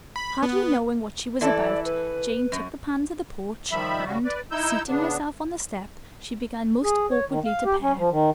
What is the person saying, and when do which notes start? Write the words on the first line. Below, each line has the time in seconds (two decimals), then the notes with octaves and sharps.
Hardly knowing what she was about, Jane took the pan to the porch, and, seating herself on the step, she began most awkwardly to pare.
0.16 B5
0.43 B3
1.41 E3 E4 A4 D5
1.85 B4
2.52 F#2
3.71 D#3 F3 G3 E5 B5
4.05 C#3 G3 F#4
4.25 B4 D5
4.51 D#4 E4 E6 G6
4.88 C#3 B3 D4
6.84 G#4
7.11 C#5
7.29 D#3
7.45 F5
7.65 G4
7.82 C#4
7.98 F3
8.11 D#3